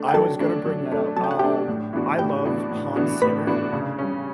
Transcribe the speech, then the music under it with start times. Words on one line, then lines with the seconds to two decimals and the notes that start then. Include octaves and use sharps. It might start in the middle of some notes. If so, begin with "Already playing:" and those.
I was gonna bring that up. Um, I love Hans Zimmer,
Already playing: A3 D4
0.09 G5
0.14 F#3 A4 A5
0.40 A3 D4
0.65 F#3
0.91 A3 D4
1.16 F#3 A5
1.24 G5
1.31 F#5
1.39 A3 D4 G4 G5
1.68 A2
1.93 E3 B3 D4 F#4
2.18 A2 G4 G5
2.45 E3 B3 D4 F#4
2.70 A2
2.96 E3 B3 D4 F#4
3.21 A2 B4 B5
3.47 E3 B3 D4 F#4
3.73 C#3
3.99 G3 C#4